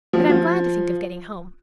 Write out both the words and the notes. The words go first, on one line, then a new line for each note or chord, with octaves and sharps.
But I'm glad to think of getting home.
F3
F3